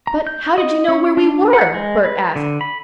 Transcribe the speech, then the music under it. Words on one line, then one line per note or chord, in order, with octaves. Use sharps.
"But how did you know where we were?" Bert asked.
A#5
G6
D#5
C#4
D4
F#5
G#3
B4
D3
B5